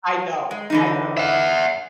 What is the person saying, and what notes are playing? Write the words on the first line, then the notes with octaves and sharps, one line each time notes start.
I know, I know.
G#3
D3 E3 D#4
E5 F#5